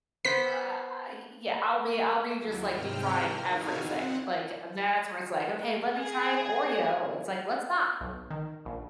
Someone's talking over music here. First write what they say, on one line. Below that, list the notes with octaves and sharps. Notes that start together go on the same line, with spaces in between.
I I Yeah, I I'll be I'll be just like deep-frying everything, like, that's where it's, like, "Okay, let me try an Oreo," it's, like, "Let's not."
B3 C5 B6
D#2 F#3 A#3 E4
G#2 C3 G#3 G5 F6
A#4
D#4 E4 F#4 G#4 F5 G#5
C4 F#5
G#4
B1
D#3
A#1